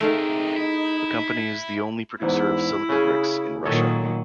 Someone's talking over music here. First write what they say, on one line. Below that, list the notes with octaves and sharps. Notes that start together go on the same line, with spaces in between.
The company is the only producer of silica bricks in Russia.
C3 A3 D#4 G#4 A#4 F5
E4
E2 G#2 E4
C#3 G#4
A#2 D#3 F#3 A4 C#5 D#5